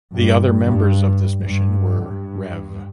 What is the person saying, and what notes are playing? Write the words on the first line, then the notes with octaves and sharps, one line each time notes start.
The other members of this mission were Rev.
G2
G2
G2
G2